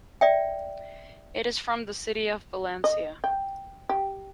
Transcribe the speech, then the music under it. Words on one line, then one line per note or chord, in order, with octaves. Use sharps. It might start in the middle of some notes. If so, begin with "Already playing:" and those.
It is from the city of Valencia.
D5 E5 G5
D#5
G5
G4